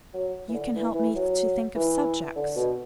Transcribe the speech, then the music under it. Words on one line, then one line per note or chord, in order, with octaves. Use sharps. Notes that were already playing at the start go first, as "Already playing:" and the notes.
You can help me to think of subjects.'
F#3
E3
D3
E3
E3
F#3
E3
D3
B2